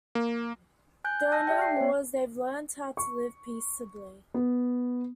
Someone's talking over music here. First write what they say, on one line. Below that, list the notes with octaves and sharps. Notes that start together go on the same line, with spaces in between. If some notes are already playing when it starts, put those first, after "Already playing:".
There are no wars, they've learned how to live peaceably.
A#3
G#5 F#6 G6
G6
A5 E6 F#6 G6 A#6
G4 D5 E5 G5
C7
B3 C5
C#6
B3